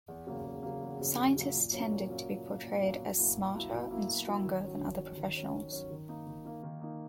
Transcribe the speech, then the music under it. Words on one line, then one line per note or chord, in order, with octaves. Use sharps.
Scientists tended to be portrayed as smarter and stronger than other professionals.
E2
C#3 F#3 A#3
E2
C#3 F#3 A#3
E2
C#3 F#3 A#3
E2
C#3 F#3 A#3
A#2
F#3 A#3 C#4
A#2
F#3 A#3 C#4
A#2
F#3 A#3 C#4
A#2
F#3 A#3 C#4
B2
F#3 A#3 E4
B2
F#3 A#3 E4
B2
F#3 A#3 E4
B2
F#3 A#3 E4
D#3
F#3 C#4
D#3
F#3
C#4
D#3
F#3 C#4
D#3
F#3 C#4
D#3
A#3 D#4
D#3
A#3 D#4
D#3
A#3 D#4